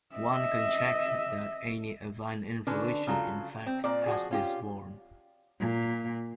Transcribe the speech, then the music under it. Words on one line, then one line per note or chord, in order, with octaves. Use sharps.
One can check that any affine involution in fact has this form.
D#5 E5
D3 C#4 D4 F#4 B4
C#3 F#3 F4 A4
C4
A#2 C4 D5
F3 F#4 G#4
C#4 F4 G4
A#2